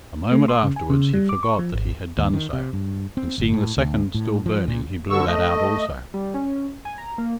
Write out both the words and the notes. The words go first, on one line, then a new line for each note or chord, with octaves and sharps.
A moment afterwards he forgot that he had done so, and seeing the second still burning, he blew that out also.
A3
C6
C#3
G#5
C#3
G3
D6
C#6
F3
G#1
D#2
D#3
C3
G2
C4
G1
A2
D2
A2
F3
A#2
D2 D3 C#6 E6
A3 D#5
G3
C#4
G#5
A#5
A#3